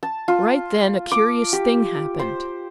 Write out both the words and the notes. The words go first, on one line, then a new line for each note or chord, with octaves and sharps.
Right then a curious thing happened.
A5
F4
D6
G4
C5